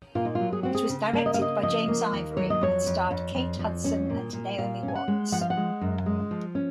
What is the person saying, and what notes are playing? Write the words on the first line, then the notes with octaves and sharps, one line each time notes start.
It was directed by James Ivory and starred Kate Hudson and Naomi Watts.
A#2 F4
D#4
F#3 F4
G#4
C4 F#4
G#4
C#3
A#3
D#5
F5
C#3 D#5
F3 D#5
A#3
D#2
F#3 C#5
D#5
F2 C#5
F2
F2
F2
F2
C#4
A#2
A#2
A#2 F5
C#4
G#5
F#5
G#3
F3 F#5
F5
F#5
G#3
F#2
G#3
F3
C#4